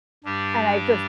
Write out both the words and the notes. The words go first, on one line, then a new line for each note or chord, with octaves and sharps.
and I've just
G2 G3 D4 G4